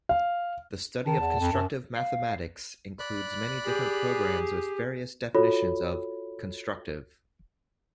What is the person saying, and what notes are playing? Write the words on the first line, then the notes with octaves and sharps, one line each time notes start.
The study of constructive mathematics includes many different programs with various definitions of "constructive".
F5
D#3 A5
E2
F2
F#2
F5
D5 B5 F#6
G4 G#4
F4 F#4 A4 C#5 B5